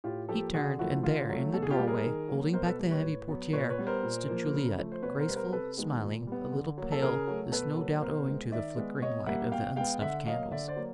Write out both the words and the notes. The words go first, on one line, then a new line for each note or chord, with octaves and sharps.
He turned, and there in the doorway, holding back the heavy portiere, stood Juliette, graceful, smiling, a little pale, this no doubt owing to the flickering light of the unsnuffed candles.
A2 F4 G4
F3 A#3 G4 A4
D3 F#4 G#4
F3 A3 E4 F#4
D3 F4
F#3 A3
B2 A4
G#4
F4 G4
G3 A#3
G#4 A#4
D#3
F#3 A#3
B2 A#4 C5
A4 B4
G3 A#3
B4 C#5
A2
F#3 B3
A#2 B4 C#5
B4 C#5
G3 B3
A#4 C5
A#2
F3 A#3
C#3
F3 A3
C5
B2 B4 C#5
A#4 C5
G3 B3 B4
A#4 C5
C3 A4 B4
D#3 G#3 B3
A#2
G3 B3
D3
F#3 A#3
A4
C#3 G#4 A#4
F#3 A3
B2 A4 B4
F#3 A#3
B2 A#4 C5
G#3 B3
D#3 D5 E5
G#3 B3
B2 C#5 D#5
G3 A#3 E5 F#5
B2 F5 G5
G#3 B3 F5 G5
D3 E5 F#5
F#3 A#3 D#5 F5
D3 D5 E5
C5 D5
F#3 A#3